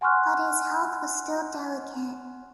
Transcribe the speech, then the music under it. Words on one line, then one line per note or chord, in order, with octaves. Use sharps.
But his health was still delicate.
F#5 G#5 C6 C#6 F6 F#6